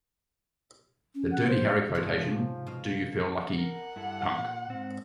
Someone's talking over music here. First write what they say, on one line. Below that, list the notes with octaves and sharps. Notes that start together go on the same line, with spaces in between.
The Dirty Harry quotation Do you feel lucky, punk?
C#4
F#5
B3 C5
G#2 C3 F3 G#4 C#5
B2 F5
A#4 F#5
G2 E4 A4
A#2
G#2 C4